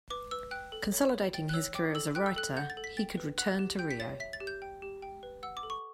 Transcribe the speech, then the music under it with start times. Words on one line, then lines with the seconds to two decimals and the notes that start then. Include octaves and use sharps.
Consolidating his career as a writer, he could return to Rio.
0.10 B4 D6
0.31 B4 E6
0.51 G5 F#6
0.72 A4
0.92 C#5
1.14 C#5
1.34 G5 A6
1.49 F#6
1.53 C#5 E6
1.75 G5 D6
1.95 A4 E6
2.15 G5 F#6
2.26 E6
2.36 A4 F#6
2.57 F#5 G6
2.70 A6
2.77 A4
2.84 B6
2.97 G5 A6
3.17 B4
3.38 F#5 F#6
3.59 G4
3.79 G5 G6
3.91 B6
4.00 C#5 A6
4.20 E5 B6
4.33 A6
4.40 G4
4.47 G6
4.62 G5
4.82 G4
5.02 G5
5.23 B4
5.43 F#5 E6
5.57 D6
5.63 A4
5.70 C#6